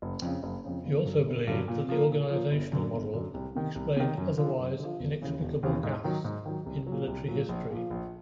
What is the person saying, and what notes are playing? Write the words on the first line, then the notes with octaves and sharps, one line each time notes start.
He also believed that the organizational model explained otherwise inexplicable gaffes in military history.
F#1
F2 C#3
F#1
F2 C#3
G1
G2 D3 F#3
G1
G2 D3 F#3
A#2
F3 A#3
A#2
F3 A#3
G1
F#2 D3 F#3
G1
F#2 D3 F#3
C2
C3 D#3
C2
C3 D#3
F#2
D3 F3
F#2
D3 F3
E1
D#2 C#3 E3
E1
D#2 C#3 E3
G#2
D#3 F#3
G#2
D#3 F#3
C2
F#3
A#2
C2
A#2 F#3
A#1
A#2
F3
A#1